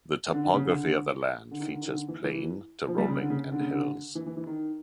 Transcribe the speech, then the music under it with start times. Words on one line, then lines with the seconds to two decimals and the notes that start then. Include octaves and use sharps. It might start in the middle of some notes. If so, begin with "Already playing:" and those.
The topography of the land features plain to rolling and hills.
0.33 D3
0.43 D3
0.54 C#3
0.65 D3
1.51 D3
1.60 D#3
1.71 D3
1.81 D#3
1.92 D3
2.08 E3
2.24 E3
2.88 F3
2.98 G3
3.10 C#3
3.20 D3
3.30 C#3
3.52 D3
3.60 C#3
3.70 D3
4.15 E3
4.26 E3
4.37 E3
4.47 D#3